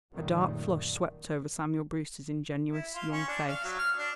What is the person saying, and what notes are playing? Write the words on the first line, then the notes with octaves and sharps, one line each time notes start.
A dark flush swept over Samuel Brewster's ingenuous young face.
C#2 F#2 A#2 D#3 G3 A3
E4
F4
C#4
D4
F5
F#3
F6
D4